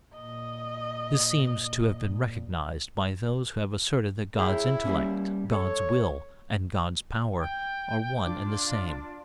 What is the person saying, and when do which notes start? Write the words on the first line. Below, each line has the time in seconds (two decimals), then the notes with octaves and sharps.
This seems to have been recognized by those who have asserted, that God's intellect, God's will, and God's power, are one and the same.
0.14 A#2 D#5
4.39 E4 G#4 C#5 G5
4.85 G3 A#3 C#4
5.52 A4 C#5
7.40 G5
8.24 D4 F4 D6